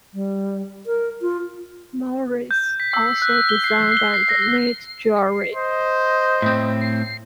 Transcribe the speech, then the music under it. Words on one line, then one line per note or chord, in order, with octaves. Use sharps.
Morris also designed and made jewellery.
G3
A#4
F4
G6
B6
E6
F#6
G7
C7
G7
C7
A#6
C5 D#5
A2 C4